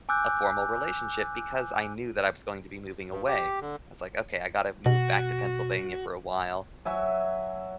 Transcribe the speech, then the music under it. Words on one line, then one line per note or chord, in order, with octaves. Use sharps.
a formal relationship because I knew that I was going to be moving away. I was, like, "Okay, I gotta move back to Pennsylvania for a while.
G#5 D6 E6 F#6 G6
G2
G4
D3
B2 F#4
F#3 E5 G#5